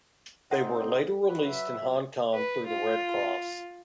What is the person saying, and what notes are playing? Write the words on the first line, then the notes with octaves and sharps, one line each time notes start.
They were later released in Hong Kong through the Red Cross.
C4 D#4 C5 E5 F#5
A4
F#3 B4
E5
B2 F#3
B4
F4